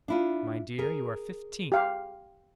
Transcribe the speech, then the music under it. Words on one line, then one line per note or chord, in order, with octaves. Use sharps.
"My dear, you are fifteen."
D4 E4 F4
G#4 A#4
G4 F5